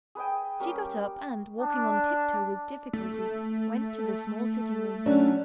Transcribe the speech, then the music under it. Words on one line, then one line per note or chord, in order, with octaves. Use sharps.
She got up and, walking on tiptoe with difficulty, went to the small sitting room.
G#4 B4 D#5 G5
G3 A#3 C#4 G4
D4
A3
F#3 C#4 D4